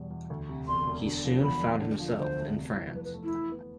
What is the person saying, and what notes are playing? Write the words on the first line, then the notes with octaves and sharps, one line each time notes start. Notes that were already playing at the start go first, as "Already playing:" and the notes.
He soon found himself in France.
Already playing: E2 B2 G3
E2
D2
C3
E1 C6
E1
D3
F3
E2 B5
E2
D3
F3
D2 C5
A3
C3
E3
F2 B4
B4
A3
E4
E3
B3